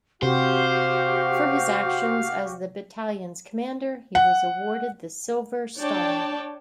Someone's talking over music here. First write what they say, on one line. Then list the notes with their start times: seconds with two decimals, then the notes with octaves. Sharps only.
For his actions as the battalion's commander he was awarded the Silver Star.
0.23 C3 F#4 G4 C5 F5
4.15 F#5
5.78 D4 C#5 D5 G5 A5